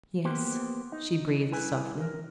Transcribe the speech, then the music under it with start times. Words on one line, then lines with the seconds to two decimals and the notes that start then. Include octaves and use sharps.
"Yes," she breathed softly.
0.25 A#3 B3 G4 C5
0.92 D#4
1.51 C2 E4 B4 G#5
2.01 A#4